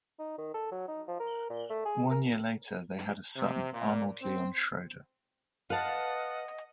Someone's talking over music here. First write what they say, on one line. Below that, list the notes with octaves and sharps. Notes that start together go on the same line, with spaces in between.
One year later they had a son, Arnold Leon Schroeder.
D#4
D#3
A4
F#3
D#4
F3
A#4
A#2
A3
G#4
A#4
C3
A#2
C4
B4 D#5 F5 F#5 A5 F#6 A6